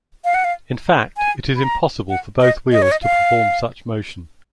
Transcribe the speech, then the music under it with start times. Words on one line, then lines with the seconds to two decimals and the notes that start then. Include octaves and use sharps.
In fact, it is impossible for both wheels to perform such motion.
0.25 F5
0.34 F#5
0.44 F5
1.17 G#5
1.56 B5
1.63 A#5
2.09 F#5
2.41 D#5
2.72 D#5
2.82 C#5
2.92 D#5
3.03 F5